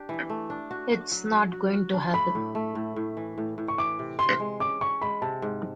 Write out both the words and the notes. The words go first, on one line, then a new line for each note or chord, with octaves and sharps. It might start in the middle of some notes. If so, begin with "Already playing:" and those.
It's not going to happen.
Already playing: D4 G4
E3
A3
D4
F#4
F#4
F#3
F#3
F#4
F#4
D4
A3 B5
A2
A3
A2
A2
E3
A2
A2
C#6
E3 D6
C3
C3 C6
G#3
C#4 D6
C#4 C#6
G#3 B5
C3 A5
G#2